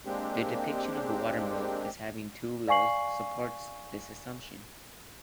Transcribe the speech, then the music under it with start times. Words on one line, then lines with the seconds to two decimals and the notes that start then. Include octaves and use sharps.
The depiction of the watermill as having two wheels supports this assumption.
0.06 G#3 A#3 C4 D4 G4
2.67 D5 F5 G#5 C#6 C7 F#7